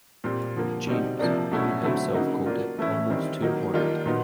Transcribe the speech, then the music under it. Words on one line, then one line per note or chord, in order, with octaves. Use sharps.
James, who himself called it "almost too horrid".
A#2 G3 C4
D3 F3 A#3
B2 G3 C4 D#4
C3 F3 A#3 D4
B2 F#3 A3 C#4 E4
D3 F#3 A3 C4 E4
C#3 F#3 A#3 D#4
F#3 A#3 D4 F4
E3 A3 C#4 E4
D#3 G3 C4 E4
D#3 F#3 A#3 D#4
D#3 G3 A#3 D4 F4
A#2 F#3 B3 D#4